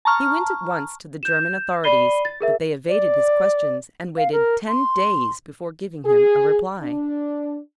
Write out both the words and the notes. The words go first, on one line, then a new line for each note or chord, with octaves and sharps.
He went at once to the German authorities, but they evaded his questions and waited ten days before giving him a reply.
A5 A#5 C#6 F6
G6 E7
D5 B5 C7 D#7 G7
A6
G#4 A#4 E5
D5
F5
A#4
C6
G#4
D4